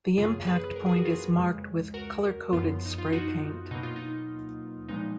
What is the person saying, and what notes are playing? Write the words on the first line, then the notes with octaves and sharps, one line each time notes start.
The impact point is marked with color-coded spray paint.
F#2 C#3 F#3 A#3 F4 G#4
G#4 B4
A#4
G#4
F#4
F4 G#4
F2 C#3 G#3
F#4 A#4
F#2 F3 B3 F4
D#4
F4
D#4 F#4
B2 F#3 A#3 D#4
F4
D#4
A#2 F3 G#3 B3 D#4